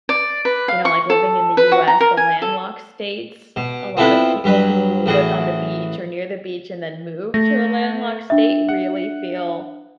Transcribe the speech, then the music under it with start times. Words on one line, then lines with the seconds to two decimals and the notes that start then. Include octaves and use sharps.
you know, like, living in the US, the landlocked states, a lot of people who lived on the beach or near the beach and then moved to a landlocked state really feel
0.09 D5
0.45 B4
0.68 F5
0.85 C#6
1.10 A4
1.57 B4
1.72 F#4
1.88 A#5
2.01 A#4
2.17 G#5
2.42 A4
3.56 B2
3.97 B3 C4 E4 F4 A4 B4
4.44 G2 F#3 B4
5.06 A1 E3 F#4 G#4
7.34 A3 A#6
8.30 D4 E5
8.69 F#5